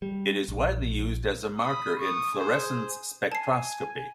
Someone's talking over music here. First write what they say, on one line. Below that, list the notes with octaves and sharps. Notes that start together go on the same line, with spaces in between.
It is widely used as a marker in fluorescence spectroscopy.
G3
A#1
B5 D#6
C#6 D#6
G#4 C5
G#5 A5 C7